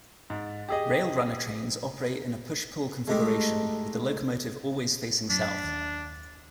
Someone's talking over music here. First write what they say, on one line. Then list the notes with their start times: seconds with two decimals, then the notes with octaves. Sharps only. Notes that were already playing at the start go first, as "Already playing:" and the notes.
Rail Runner trains operate in a push-pull configuration, with the locomotive always facing south.
0.30 G#2
0.69 G4 G#4 D#5
3.08 G#3 A3 D#4 G4
5.30 F#2 D4 B6
5.64 D#2